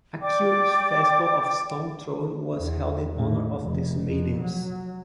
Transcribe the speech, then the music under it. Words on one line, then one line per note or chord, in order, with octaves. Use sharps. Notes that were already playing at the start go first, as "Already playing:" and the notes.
A curious festival of stone-throwing was held in honor of these maidens.
D5 G5 D6
E2
A2
F1
F2
F#3